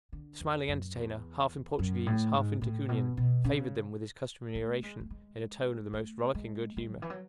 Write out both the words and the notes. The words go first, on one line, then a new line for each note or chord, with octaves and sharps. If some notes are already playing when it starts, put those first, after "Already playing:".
The smiling entertainer, half in Portuguese, half in Ticunian, favored them with his customary oration in a tone of the most rollicking good humor.
D3
E2
F#2
E2
F#2
A2
G#2
A2
B2
B2
C#3
A3
G#3
A3
G#3
A3
G#3
G#3
D3
E3
F#3